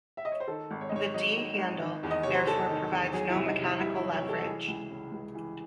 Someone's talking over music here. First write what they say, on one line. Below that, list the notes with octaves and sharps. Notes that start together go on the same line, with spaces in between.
The D-handle therefore provides no mechanical leverage.
E5
D#5
C#5
C5
D#3 A4
G#1
C#5
D#5
G#2 C#5
F#3 D#5
D#3
G#1
D#3
E2
D#5
C3 C#5
C5
E2 A4
D#3
E2
F#3 G#4
E4
C2
D#4
C3
E4
C2 E4
E4
F#3
C#5
C2
A4
E3 G#4
C#2
C#3
C#2
E3